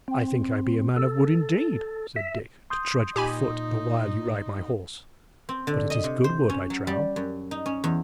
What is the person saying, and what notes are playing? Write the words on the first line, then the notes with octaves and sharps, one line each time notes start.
"I think I be a man of wood, indeed," said Dick, "to trudge afoot the while you ride my horse; but it is good wood, I trow."
C4
A4
E5
C6 D#6 G6
A#2 D#4 G4 G#5 B5
C4
D3
D#5
C3
C5
C#4
F#3
G3
F#2
D#4
C#4
E2